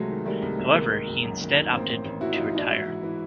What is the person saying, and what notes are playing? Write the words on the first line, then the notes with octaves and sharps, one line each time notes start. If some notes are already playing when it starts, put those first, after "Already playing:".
However, he instead opted to retire.
Already playing: C2 C3 F#3 G#3 A3
D#3
D#3 G3 A3
C2
C2
D#3 G#3 A#3
D#3
F#1
F#2
D#3
D#3
A1 A#3 C4
A1
A1
E3 E4 F#4
A1 D#4 F4
E3 D4 E4
G#2 E4 F#4
E3
E3